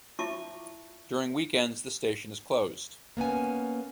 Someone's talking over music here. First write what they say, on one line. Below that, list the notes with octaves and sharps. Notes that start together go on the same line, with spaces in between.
During weekends, the station is closed.
E4 F4 E5 A5 C#6 D6
A#3 B3 C#4 G#5